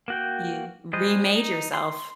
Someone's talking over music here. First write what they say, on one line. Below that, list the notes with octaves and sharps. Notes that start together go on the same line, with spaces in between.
You remade yourself.
A#3 F#4 G5
G3 G#3 C5 D#5
D#4
C6